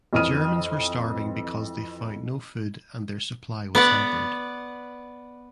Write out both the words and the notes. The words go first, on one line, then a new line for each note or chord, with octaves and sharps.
The Germans were starving because they found no food and their supply was hampered.
F2 E3 D#5 D#6 F6 D#7
B3 D5 F#5